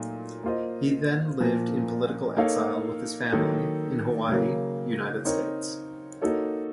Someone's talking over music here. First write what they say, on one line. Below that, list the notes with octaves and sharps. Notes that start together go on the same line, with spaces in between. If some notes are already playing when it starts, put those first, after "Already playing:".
He then lived in political exile with his family in Hawaii, United States.
Already playing: A#2 F#3 A3 D#4
A#3 F4 C5 D#5
A#2 F3 A#3
A#3 D#4 A4 C#5 F5
D#3 F#3 A#3 D#4 A4
C#3 F#3 A#3
C4 D#4 A#4 C#5
A#3 D#4 F#4 A4 C#5